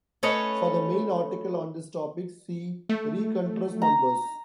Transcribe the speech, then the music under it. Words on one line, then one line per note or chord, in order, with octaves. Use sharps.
For the main article on this topic, see rencontres numbers.
A3 C#4 A4 B4 C#5 D#5
A3
A#5